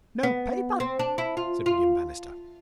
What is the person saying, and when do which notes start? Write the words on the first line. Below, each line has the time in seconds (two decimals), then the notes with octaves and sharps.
"No paper," said William Bannister.
0.23 B3
0.80 C4
0.99 D4
1.18 E4
1.37 F4
1.66 F4